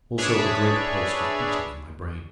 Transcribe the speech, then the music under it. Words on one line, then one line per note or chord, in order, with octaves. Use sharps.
Also, a great pulse was beating in my brain.
D4 G#4 B4 C#5 D5 E5